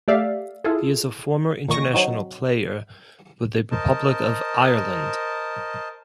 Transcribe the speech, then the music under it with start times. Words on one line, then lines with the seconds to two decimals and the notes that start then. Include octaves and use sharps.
He is a former international player with the Republic of Ireland.
0.08 A3 G4 D5 E5 F5
0.64 E4 F4 G#4 A4
1.68 A#2 D#3 C#6 A#6
1.93 F#3 C4 D#4 F#4
3.71 A#4 C5 D#5 A5